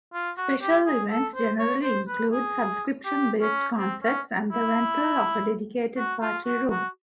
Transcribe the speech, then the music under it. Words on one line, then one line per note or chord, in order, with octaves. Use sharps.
Special events generally include subscription-based concerts and the rental of a dedicated party room.
F4
F#4
G4
G#4
A4
C5
C#5
C5
B4
G#4
G4
C#4
C4
C#4
E4
F#4
F4
F#4
F#4